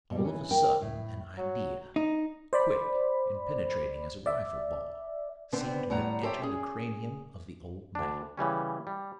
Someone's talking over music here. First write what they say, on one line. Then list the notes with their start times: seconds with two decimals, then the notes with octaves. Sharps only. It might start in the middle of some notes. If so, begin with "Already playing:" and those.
All of a sudden an idea, quick and penetrating as a rifle-ball, seemed to have entered the cranium of the old man.
0.11 B2 G3
0.24 E3 C#4
0.51 A#4 G5
0.81 A2
1.37 F#3
1.96 D#4
2.53 C5 D5 B5
4.26 D5 E5
5.53 D3 B3 C4 C5 G5
5.90 A2 G3 F#5 A#5
6.23 G4 A4 C5 C#5 E5 G5
6.42 C#4 G#4
7.95 D2 D4
8.37 C#3 E3 G3 C#4
8.87 G3